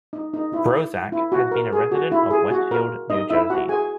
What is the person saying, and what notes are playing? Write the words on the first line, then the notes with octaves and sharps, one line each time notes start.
Brozak has been a resident of Westfield, New Jersey.
D#4
D#4
E4
E4
F#4
A#4
G#4
F#4
E4
G#4
F#4
A#4
D#4 D#5
E4 E5
F#4 F#5
G#4 G#5